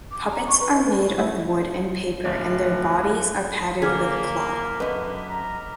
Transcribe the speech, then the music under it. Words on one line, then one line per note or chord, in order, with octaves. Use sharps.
Puppets are made of wood and paper and their bodies are padded with cloth.
D6
A#5
C#6
B4
D#4
B4
F#3 A3 E4
D1
D3 A#3 G#4 C5 D6 F6 G#6 B6
F#2 D3 B4 D#5
A#5